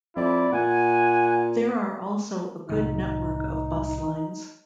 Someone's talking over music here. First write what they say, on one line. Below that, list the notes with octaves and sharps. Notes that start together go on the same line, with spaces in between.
There are also a good network of bus lines.
F2 E4 D5
A#2 F#5 G#5
C2 A2 D#3 D#4